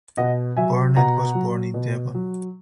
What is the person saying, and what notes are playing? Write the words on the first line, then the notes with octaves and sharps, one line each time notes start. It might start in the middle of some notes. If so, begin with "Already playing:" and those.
Burnett was born in Devon.
B2 D#5 F#5
F#3 E5 G#5
B2 F#5 A#5
F#3
B2
F#3